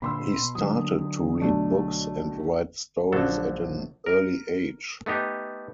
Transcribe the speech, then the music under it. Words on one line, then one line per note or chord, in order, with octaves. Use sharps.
He started to read books and write stories at an early age.
A#2 D3 A#3 B5 C6 E6
B2
D3 F#3 D#6
B1 A3 D4
A#1 D3 F#3 A4
A#4
A3 B3 D#4 G4